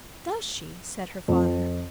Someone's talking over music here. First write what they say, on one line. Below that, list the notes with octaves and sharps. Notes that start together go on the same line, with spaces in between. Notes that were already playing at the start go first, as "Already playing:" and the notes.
'Does she?' said her father.
F2